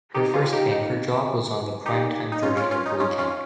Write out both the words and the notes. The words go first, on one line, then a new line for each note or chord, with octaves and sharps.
Her first anchor job was on the prime-time version of "Weekend".
D#4 G4
C#4 F4
D#4 G4
D#4
D#4 G4
D#4
C#4 F4
C#4 F4
C#4 F4
D#4
C#4 F4
C#4 F4